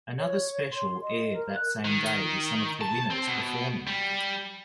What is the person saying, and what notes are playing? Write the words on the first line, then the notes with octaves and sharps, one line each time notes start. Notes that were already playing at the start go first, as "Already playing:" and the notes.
Another special aired that same day with some of the winners performing.
C#5
C6
D#5
A#4
F#6
D#3
A5
C4
B2
G3